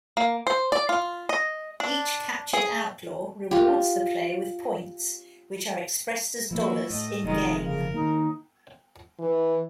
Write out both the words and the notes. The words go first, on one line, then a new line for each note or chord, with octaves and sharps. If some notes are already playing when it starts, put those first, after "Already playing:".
Each captured outlaw rewards the player with points, which are expressed as dollars in-game.
A#3
C5
D5
F4
D#5
D4
G#4
F4 G4
F3 A3 A#3 E4 F#4
A2 A3 D#5
F1 F2 D#3 G#3 D#4 D#5
C#3 A#4
D#3 A#3 D#4
E3